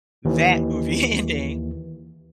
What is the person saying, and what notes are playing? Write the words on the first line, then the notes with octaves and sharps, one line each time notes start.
That movie ending
D#2 E3